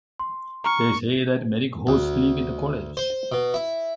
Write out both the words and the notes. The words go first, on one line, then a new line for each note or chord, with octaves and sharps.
They say that many ghosts live in the college.
C6
A#5 C#6 F6
D2
C5
B2
E4